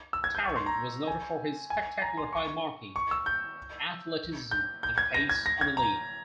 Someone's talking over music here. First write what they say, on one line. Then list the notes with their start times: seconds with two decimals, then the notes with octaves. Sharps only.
Tarrant was noted for his spectacular high marking, athleticism and pace on a lead.
0.13 E6
0.24 G#6
0.35 G6
0.45 C#6
0.56 C6
0.66 A#5
1.07 G#5
1.70 G#5
2.02 A#5
2.17 C6
2.33 C#6
2.96 C#6
3.11 E6
3.26 G6
4.51 G6
4.83 G6
4.98 G#6
5.14 A#6
5.30 G#6
5.46 A#6
5.61 G#6
5.77 A#5